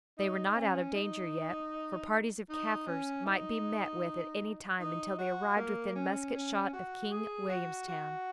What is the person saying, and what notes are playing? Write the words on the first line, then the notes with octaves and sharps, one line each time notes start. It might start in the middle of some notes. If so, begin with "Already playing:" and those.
They were not out of danger yet, for parties of Kaffirs might be met with at any time until they arrived within musket shot of King Williamstown.
D#4
C#4
D#4
D#4
C#4
D#4
D#4
F#4
A#3
C#4
C#4
F#4
G#4
F#4
F#4